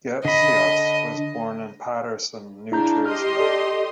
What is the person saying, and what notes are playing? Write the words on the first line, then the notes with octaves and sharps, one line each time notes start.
Goetschius was born in Paterson, New Jersey.
D3 D#5 B5
C#3 D4 E4 A#5 G6
G4 D#5 C6 F6
A4 D5